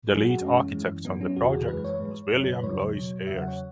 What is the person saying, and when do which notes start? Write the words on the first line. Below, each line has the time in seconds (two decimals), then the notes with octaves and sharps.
The lead architect on the project was William Louis Ayres.
0.08 F#3 G#4
0.14 G#2
0.25 F#4
0.40 F#2 E3 G#3 C#4
0.73 F#2 E3 G#3
1.04 G#2 F#3 B3
1.21 C#4
1.36 E2 C#3 E3 F#4
1.53 G#4
1.68 F#2 E3 G#3 B4
1.84 C#5
2.00 G#2 G#3
2.31 F#2 C#3 F#3
2.52 B4
2.63 E2 C#3 F#3 C#5
2.95 B2 F#3
3.27 E2 C#3 F#3 E5
3.37 F#5
3.48 C#5